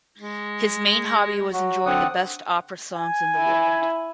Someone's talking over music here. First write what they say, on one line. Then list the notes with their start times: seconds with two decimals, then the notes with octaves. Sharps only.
His main hobby was enjoying the best opera songs in the world.
0.18 G#3
1.53 F#3 F#4
1.86 D3 C4 F#5 D#6
2.94 G#5
3.38 E4